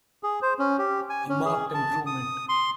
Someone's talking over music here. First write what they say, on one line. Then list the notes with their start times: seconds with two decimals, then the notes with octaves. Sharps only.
A marked improvement.
0.23 G#4
0.42 C5
0.59 C#4
0.79 G4
1.10 G#5
1.29 C#4
1.45 G#4
1.74 A5
2.06 D#6
2.49 C6